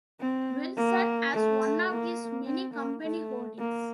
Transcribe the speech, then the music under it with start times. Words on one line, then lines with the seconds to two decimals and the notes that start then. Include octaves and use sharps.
Wilson as one of his many company holdings.
0.20 C4
0.77 A#3
1.33 A3
1.90 A#3
2.46 C4
2.74 A#3
3.03 A3
3.59 A#3